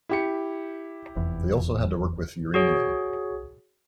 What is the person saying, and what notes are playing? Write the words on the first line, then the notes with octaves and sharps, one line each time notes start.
They also had to work with uranium.
E4 G4 C#7
F1 E2
F#4 G#4 C#5